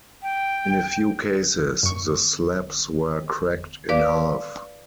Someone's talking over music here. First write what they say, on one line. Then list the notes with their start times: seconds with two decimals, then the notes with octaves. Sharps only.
In a few cases the slabs were cracked in half.
0.23 G5
1.83 F#2 C#6
3.89 B4 D5 F5 D6